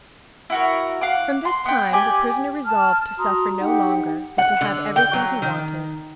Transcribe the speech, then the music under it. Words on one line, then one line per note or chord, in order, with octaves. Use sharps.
From this time the prisoner resolved to suffer no longer, but to have everything he wanted.
E4 F#4 A#4
F5 F#5 D6
C6
B3 G5
G4 D5 G#5
A5 F6
F#4 A#5 C6 D#6
D#4 G4 F#5
F#5
D3
G5
F#3
D#3